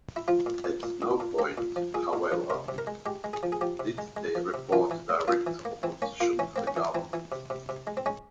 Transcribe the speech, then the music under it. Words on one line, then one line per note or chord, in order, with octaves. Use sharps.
At no point, however, did they report direct opposition to the government.
E4
F3 F4
A#2
A#2
A#2
A#2
A#2
A#3 G4
A#2
F3
A#2 G#4
A#2
F3
C3 A#4
C3
A#4
G#3
G#3 G4
G#3
G#4
F3
G#4
F3 G4
C3
G#3
G#3
F3
C3
E3 F4
E3
A#3
A#3 F4
E3
A#3
E3 C4
A#3 C#4
A#3 F4
E3 C#4
A#3 C4
C#4
E3
E3 C4
E3
C3
C3
C3
G#3
C4
G#3 C#4